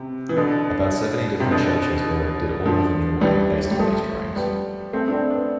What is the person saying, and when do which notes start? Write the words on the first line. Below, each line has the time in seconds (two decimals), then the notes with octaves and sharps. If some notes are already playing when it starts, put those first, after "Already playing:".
About seventy different churches were erected all over Norway based on these drawings.
Already playing: C3
0.29 E3
0.37 B2 D3
1.40 C3
1.51 B2 D3
2.66 D3 F3
3.21 E3 G3
3.71 G3
3.79 F3 A3
4.36 G3 B3
4.93 A3 C4
5.08 D4
5.12 A3 C4
5.31 B3 D4